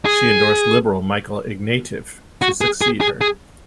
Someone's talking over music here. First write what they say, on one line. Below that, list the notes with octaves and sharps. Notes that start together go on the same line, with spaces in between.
She endorsed Liberal Michael Ignatieff to succeed her.
G#4
F#4
G#4
G#4
G#4
G#4